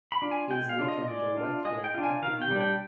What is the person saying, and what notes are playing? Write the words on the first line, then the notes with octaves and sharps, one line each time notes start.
He is looking directly at the viewer.
B5
D4 F4
G#5
G#3 G5
F5
D4 F4
D#5
D#5
G#3 D5
D4 F4
G#3 D#5
G5
D4 F4
G#5
D#3 F5
G5
G3
D4 G5